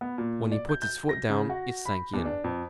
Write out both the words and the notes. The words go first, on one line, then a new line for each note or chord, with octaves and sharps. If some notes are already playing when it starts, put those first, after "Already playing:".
When he put his foot down it sank in.
B3
A#2
D5
G6
G6
A#6
C#3
F#4
B5
E2
D4
F2